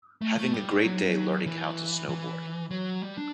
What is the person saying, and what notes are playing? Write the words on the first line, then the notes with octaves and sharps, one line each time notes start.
Having a great day learning how to snowboard.
A3
A3
G3
F#3
E3
E3
F#3
G3
D4